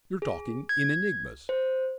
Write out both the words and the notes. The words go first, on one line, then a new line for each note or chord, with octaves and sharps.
"You're talking in enigmas."
G#4
G#6
C5